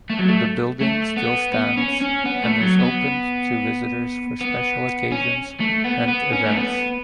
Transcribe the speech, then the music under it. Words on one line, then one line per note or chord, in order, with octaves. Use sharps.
The building still stands and is opened to visitors for special occasions and events.
A3
F#3
A3
A3
B3
B3
C#4
C#4
B3
A3
F#3
B3
B3
C#4
A3
B3
B3
C#4
A3
B3